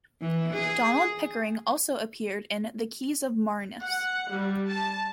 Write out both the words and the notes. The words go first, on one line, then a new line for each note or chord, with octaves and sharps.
Donald Pickering also appeared in "The Keys of Marinus".
E3
G#4
F#5
G3
A5